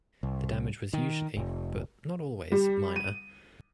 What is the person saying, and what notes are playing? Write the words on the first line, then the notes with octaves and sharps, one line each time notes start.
The damage was usually, but not always, minor.
C2
D#3
F1
G3
D#7